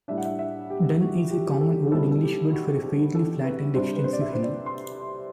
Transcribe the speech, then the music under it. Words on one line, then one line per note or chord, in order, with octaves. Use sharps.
"Dun" is a common Old English word for a fairly flat and extensive hill.
A2 G3 D4 E5
F#5
E5
E5
G4
F#4
G4
G4
A4
B2 G3 C4 E4 A4
A4
G4
F#4
G4
A4
B4
C3 G3 D4 C5
B4
C5
D5
E5
C5
D5
C6